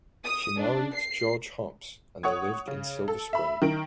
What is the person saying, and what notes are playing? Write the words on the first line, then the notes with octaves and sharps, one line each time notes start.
She married George Hopps and they lived in Silver Spring.
D#6
D4
C7
C#5 F#5 C#6 D#6 G#6
C#3
A4
E5 B5
D#3 A#4 D7